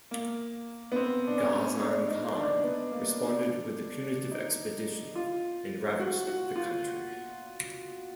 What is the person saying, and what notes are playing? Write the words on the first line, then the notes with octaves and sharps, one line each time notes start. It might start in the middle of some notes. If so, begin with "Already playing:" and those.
Ghazan Khan responded with a punitive expedition, and ravaged the country.
A#3
B3
C4
D4
C#4
D4
D#4
D4
B3
A#3
D4
D#4
F4
F#4
F#4
F4